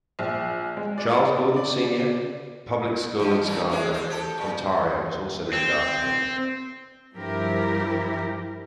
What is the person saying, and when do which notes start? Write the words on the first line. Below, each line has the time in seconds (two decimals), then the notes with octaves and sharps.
Charles Gordon Senior Public School in Scarborough, Ontario was also named after him.
0.19 A#1
0.77 G#3
0.98 D5
1.56 D5
3.19 B2 F3
3.45 A#2 E3 C#4
3.70 E3 G#3 G#4
3.91 E3 C5
4.10 G4 A4
4.38 A#2
5.53 C4
7.14 G2 F3 E4 G4 A#4